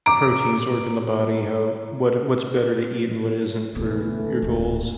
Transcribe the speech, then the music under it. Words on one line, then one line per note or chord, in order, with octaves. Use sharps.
proteins work in the body, how what what's better to eat and what isn't for your goals,
A#5 D6 D7
E2 B2 D3 E3 A3
D1 F2